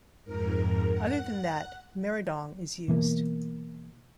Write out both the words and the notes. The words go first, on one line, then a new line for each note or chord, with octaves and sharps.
Other than that, "Meradong" is used.
F2 G#2 A#4
F#5
B2 E3 A#3